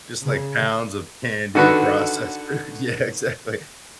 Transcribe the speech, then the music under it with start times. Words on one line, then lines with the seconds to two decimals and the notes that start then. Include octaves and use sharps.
just like, pounds of candy processed food, yeah, exactly,
0.23 C#3
1.55 D3 D#3 F#4 A4 B4